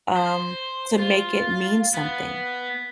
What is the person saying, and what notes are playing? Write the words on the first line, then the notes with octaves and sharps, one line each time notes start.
um, to make it mean something.
C5
F4
B3